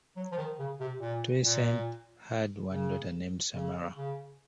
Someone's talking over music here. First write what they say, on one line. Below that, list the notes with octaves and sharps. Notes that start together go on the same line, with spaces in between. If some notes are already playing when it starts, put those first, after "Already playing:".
Toussaint has one daughter named Samara.
F#3
F3
D#3
C#3
C3
A#2
A#2
C#3
C#3
C#3